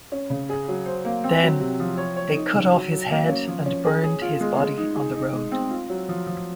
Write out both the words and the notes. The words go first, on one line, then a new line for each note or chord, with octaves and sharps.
Then they cut off his head and burned his body on the road.
C#4
C#3
G#4
F#3
C5
A#3
C4
F#3
C3
F3
C#5
C#5
D#4
C#3
F#3
F#3
A#3
C#4
F3
C#4
G#4
G#4
F4
G#3
G#3
D#4
G#4
D#4
G#3
C4
F4
F#3
F3
F3